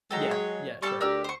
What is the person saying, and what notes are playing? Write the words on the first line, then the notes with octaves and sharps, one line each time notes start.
Yeah, yeah, sure.
F#3 G#3 A4 G5 A#5
C#5
G3 A4 A5 C#6
D2 G4 A#4 D5 E6
C5 C#6